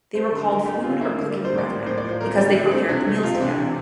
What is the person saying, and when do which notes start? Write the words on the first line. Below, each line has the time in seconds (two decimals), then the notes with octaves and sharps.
They were called food-, or cooking-brethren, because they prepared the meals together.
0.14 A3 C5
0.32 D3
0.48 D3 A#4
0.66 A3 G4
0.83 D3 F4
1.01 A#3 E4
1.17 D3
1.31 G3 D5
1.45 C5
1.52 A2
1.58 D5
1.69 A#3
1.86 A2 C5
1.98 D5
2.03 F3
2.09 C5
2.20 A3 A#4
2.37 D3 G4
2.48 D4
2.55 D3 E4
2.71 A3 C4
2.89 C3 D4
3.07 A3
3.23 C3 F4
3.35 C4
3.40 E3 D4
3.58 C3